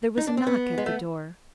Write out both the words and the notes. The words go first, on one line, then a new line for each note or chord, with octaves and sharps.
There was a knock at the door.
D#4
D4
C4
B3
G#3
A3